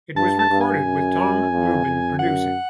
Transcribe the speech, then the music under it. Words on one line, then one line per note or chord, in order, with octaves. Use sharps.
It was recorded with Tom Lubin producing.
G2 A5
A5
G2
G#5
F#2
F2
F2
F#2 F#5